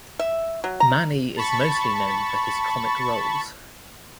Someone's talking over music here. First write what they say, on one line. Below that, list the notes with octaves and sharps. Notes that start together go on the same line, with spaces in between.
Mani is mostly known for his comic roles.
E5
F#3
A#5
A5 B5 C#6 A6